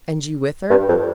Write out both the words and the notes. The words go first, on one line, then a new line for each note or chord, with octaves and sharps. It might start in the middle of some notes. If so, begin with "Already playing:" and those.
"And you with her?"
G2
F2